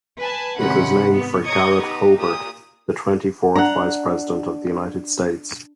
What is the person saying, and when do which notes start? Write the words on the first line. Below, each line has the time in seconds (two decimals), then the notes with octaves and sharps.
It was named for Garret Hobart, the twenty-fourth Vice President of the United States.
0.19 B4 G#5 A5
0.58 G#2 C3 D#3 C#4 F#5 B5
1.11 B3
1.44 C#5 D#5 A#5 C#6 D#6 G#6
1.75 B3 D#4 G4
2.15 A#2 G4 D#6
3.56 D4 F#5 A#5